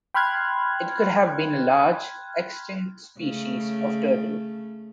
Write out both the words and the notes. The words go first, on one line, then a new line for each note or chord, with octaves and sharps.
It could have been a large, extinct species of turtle.
G5 B5 C6 F6 F#6 G#6
C#3 A3